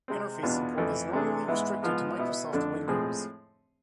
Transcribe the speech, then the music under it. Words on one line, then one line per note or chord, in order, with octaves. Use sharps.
Interface support is normally restricted to Microsoft Windows.
C3 G#3 C4
E2 B2 B3 D4 F4
F2 E3 A3
C3 E3 A3 D4 G#4
G#2 E3 B3 E4
G#2 F3 B3 F4
B2 B3 E4
F2 D3 A3 D4
A2 F3 G#3 C4 G#4